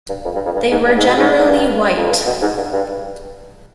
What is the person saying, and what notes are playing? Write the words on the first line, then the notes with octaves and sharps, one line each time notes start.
They were generally white.
G2
F2
G2
F2
G2
G#2
G2
G#2
B2
G#2
G#2
G2
F2
G2
B2
G#2
G2
G2